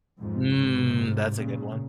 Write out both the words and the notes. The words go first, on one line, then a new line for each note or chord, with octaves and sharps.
Mm. That's a good one.
F2 G#2
G#2 C3
A#2 C#3